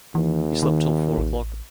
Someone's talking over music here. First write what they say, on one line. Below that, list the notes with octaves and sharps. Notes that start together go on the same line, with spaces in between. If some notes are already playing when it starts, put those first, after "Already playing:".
He slept till four o’clock.
D#2 E3
D#3
A1